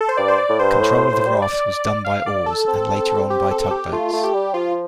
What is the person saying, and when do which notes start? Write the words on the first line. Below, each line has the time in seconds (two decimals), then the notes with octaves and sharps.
Control of the raft was done by oars and later on by tugboats.
0.01 A4
0.09 C5
0.17 G2 D5
0.28 C5
0.38 D5
0.49 A2
0.59 G2 C5
0.80 A2
0.95 A2
1.11 A2
1.27 G3
1.42 D5
2.05 F5
2.26 D5
2.46 A4
2.68 C4
3.30 G4
3.51 A4
3.61 A4
3.71 G4
3.93 A3 F4
4.13 A3
4.23 G4
4.34 G3
4.54 F3 F4